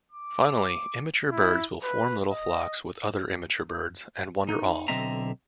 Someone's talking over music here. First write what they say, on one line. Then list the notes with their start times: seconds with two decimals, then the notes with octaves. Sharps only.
Finally, immature birds will form little flocks with other immature birds and wander off.
0.12 D6
1.32 E4
1.84 B4
2.31 D#5
4.49 D#4
4.88 B1 D3 C4 D#5 E5 A#5